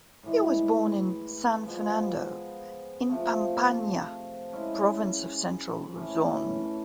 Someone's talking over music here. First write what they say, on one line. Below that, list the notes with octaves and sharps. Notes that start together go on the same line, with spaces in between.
He was born in San Fernando, in Pampanga province of central Luzon.
A2 E3 G#3
F3 G#3 B3
C3 F3 A3
G#3 C#4 E4
A2 E3 A3 C#4